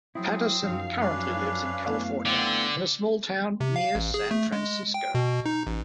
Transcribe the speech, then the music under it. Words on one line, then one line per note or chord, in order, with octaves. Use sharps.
Pattison currently lives in California, in a small town near San Francisco.
F#3 C4 E4 G#4
F#2 F3 D#4 F#4 F5
C#4 D4 B4
A3 B3 E4
D3 C4 F4
C3
F5
A1
G#4
A3
G#3
G5
B2
D#4
A1